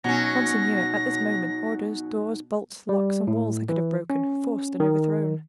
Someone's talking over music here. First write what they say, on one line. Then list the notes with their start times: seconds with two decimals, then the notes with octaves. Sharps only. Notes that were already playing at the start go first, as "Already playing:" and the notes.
"Monseigneur, at this moment, orders, doors, bolts, locks, and walls I could have broken, forced and overthrown!"
0.04 B2 F#3 C#4 D#4 A#6
2.89 G3
3.27 A2
3.69 E3
4.10 C#4
4.80 D#3